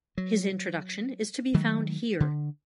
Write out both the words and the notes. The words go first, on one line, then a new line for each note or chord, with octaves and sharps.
His introduction is to be found here.
F#3
D#3 F#3 G#3 A3
D3